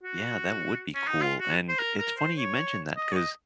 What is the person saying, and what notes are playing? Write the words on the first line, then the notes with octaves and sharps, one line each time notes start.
Yeah, that would be cool. And, it's funny you mentioned that, 'cause,
F#4
C#4
D#4
F4
F#4
C5
A#4
A#4
C5
C#5
D#5
C#5
D#5